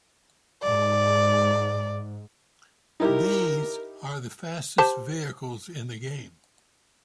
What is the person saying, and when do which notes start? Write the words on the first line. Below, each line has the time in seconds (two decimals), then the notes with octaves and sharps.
These are the fastest vehicles in the game.
0.63 G#2 D5
3.00 D#4 E4 G4 A#4
4.78 G4 C5 A5